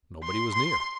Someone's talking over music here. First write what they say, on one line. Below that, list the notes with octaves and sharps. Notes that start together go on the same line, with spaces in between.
Nobody was near.
C6
C6